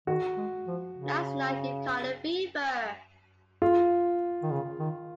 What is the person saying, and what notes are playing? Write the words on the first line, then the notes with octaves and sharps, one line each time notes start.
Last night you caught a fever.
D#3 F#4
G#3
F3
C#3
F4
D#3
C#3
D#3